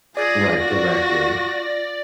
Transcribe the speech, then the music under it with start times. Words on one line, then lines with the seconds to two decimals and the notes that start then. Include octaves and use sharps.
Right. Directly.
0.17 F4 G#4 D5 A#6
0.60 F#4